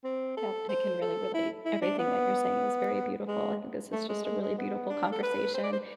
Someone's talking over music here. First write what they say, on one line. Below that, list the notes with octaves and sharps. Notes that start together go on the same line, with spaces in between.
Yep, I can really relate; everything that you're saying is very beautiful. I think this is just a really beautiful conversation,
C4
A4
C5
A4
E4
E4
D4
B3
G#3
A3
G#3
G#3
G#3
B3
D4
A4
B4
C5
D5
C5